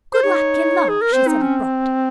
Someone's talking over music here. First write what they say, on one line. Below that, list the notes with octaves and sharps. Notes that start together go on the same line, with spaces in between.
Good luck in love she said it brought.
C5
D#4 C#5
G#4
A#4
C4 C5
D#4
C#4